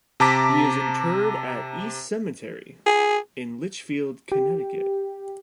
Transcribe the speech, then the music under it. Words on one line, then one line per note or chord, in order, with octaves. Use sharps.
He is interred at East Cemetery, in Litchfield, Connecticut.
C3 A5 A#5 D6 B6
G#4
G4